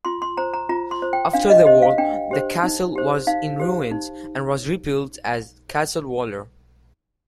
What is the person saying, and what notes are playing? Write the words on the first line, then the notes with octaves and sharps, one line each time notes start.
After the war the castle was in ruins and was rebuilt as Castle Waller.
F4 C6
C6
C5 A#5
A#5
F4 A#5
C6
C5
G5
D4 F5
D#5
G4 C5 D#5
F5
D4 G5
G4 C5
D#4
G4 C5
D#4 F5
G4 C5
D#4